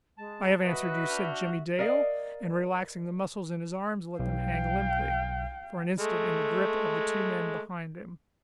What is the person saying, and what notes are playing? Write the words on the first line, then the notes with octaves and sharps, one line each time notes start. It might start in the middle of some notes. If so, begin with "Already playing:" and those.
"I have answered you," said Jimmie Dale--and, relaxing the muscles in his arms, let them hang limply for an instant in the grip of the two men behind him.
G#3 A5
B2 F#3 F#4 B4 D#5 E5
D4 F6 G6
A#4 D5 D#5 F5
B1 F5 G5
G#3 A3